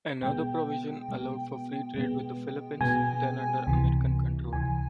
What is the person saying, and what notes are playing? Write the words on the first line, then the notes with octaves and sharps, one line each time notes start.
Another provision allowed for free trade with the Philippines, then under American control.
B2 G#3 B3 G5
B2 G#3 B3
B2 G#3 B3
B2 G#3 B3 G#5
C#2 C3 E3
C#2 C3 E3 G#5